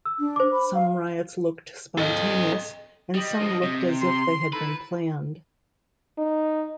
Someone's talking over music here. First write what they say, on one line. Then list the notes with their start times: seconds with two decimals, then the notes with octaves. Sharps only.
Some riots looked spontaneous and some looked as if they had been planned.
0.05 E6
0.19 D4
0.36 C5 D6
0.53 B5
0.74 F5
1.98 A4 D#5
3.15 G3 D#5
3.40 G2 F3
3.63 C3
4.01 C6
4.53 D#4 E4 A4 B4
6.18 D#4